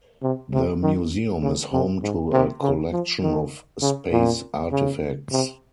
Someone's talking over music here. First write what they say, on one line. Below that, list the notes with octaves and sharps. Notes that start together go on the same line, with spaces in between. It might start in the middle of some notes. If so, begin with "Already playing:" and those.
The museum is home to a collection of space artifacts.
C3
C3
D#3
C#3
C3
G#2
C3
C#3
F3
D#3
C#3
A#2
C#3
C3